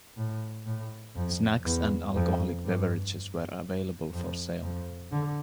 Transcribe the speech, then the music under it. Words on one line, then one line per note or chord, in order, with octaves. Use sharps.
Snacks and alcoholic beverages were available for sale.
A2
A2
F2
E2
F2
G2
F2
F2
D3